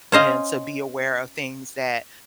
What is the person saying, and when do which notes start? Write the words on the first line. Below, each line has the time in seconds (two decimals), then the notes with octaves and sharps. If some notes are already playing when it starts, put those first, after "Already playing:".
and to be aware of things that
0.12 C#4 C5 D#5 F5